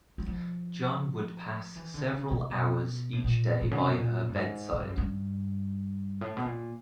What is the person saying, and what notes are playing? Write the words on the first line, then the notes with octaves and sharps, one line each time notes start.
John would pass several hours each day by her bedside.
F#3
F3
E3
D3
C#3
C3
B2
A2
A#2
A2
C#3
C3
B2
A#2
G2
G#2
G#2
G2
F#2
G2
A2
B2
A#2